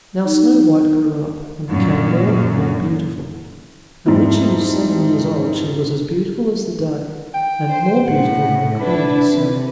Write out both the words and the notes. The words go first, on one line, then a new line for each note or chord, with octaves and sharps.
Now Snow-white grew up, and became more and more beautiful; and when she was seven years old she was as beautiful as the day, and more beautiful than the Queen herself.
D#4
F#2 A#2
F2 G#2 G3 E4
G5
C5
A2 F#5
D4 E4 B4
C3